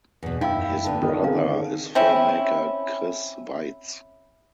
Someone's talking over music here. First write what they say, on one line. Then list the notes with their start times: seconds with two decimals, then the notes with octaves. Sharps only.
His brother is filmmaker Chris Weitz.
0.23 E2 B2
0.41 F#2 D#4 E4 F5 G5 B5 E6
0.84 D3 B3 D4 A5
1.02 D#3 A4
1.23 C4 D#4 G#4 A#4 F5
1.95 C4 C#4 E4